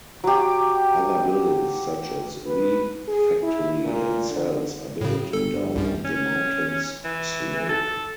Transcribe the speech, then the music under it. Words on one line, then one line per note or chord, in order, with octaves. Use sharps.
Other buildings such as refectory and cells are built down on the mountains slope.
F#3 G4
B4
G#4
E4
A#2
D3
A2 C#3
G1 A4
G2
C2 F#2
C#4
E3
A4